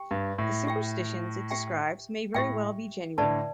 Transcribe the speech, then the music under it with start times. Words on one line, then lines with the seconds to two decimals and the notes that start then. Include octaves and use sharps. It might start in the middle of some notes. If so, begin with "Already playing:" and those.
The superstitions it describes may very well be genuine.
Already playing: G4 G5
0.11 G2
0.38 A2
0.67 G4 E5 G5
1.51 G4 E5 G5
2.34 A2 G4 E5 G5
3.18 A2 D3 B4 D5 A5